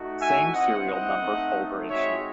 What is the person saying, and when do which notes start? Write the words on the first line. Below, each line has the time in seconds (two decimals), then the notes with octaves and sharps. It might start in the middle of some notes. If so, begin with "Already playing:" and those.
Same-serial numbered folder issue.
Already playing: A3 D#4 F#4
0.18 E5 G#5
0.52 C4 E4 D#5 F#5
0.86 D#5 F#5
1.21 A3 C4 D#4
1.89 G#3 C4 D#4 F#4 C#5 E5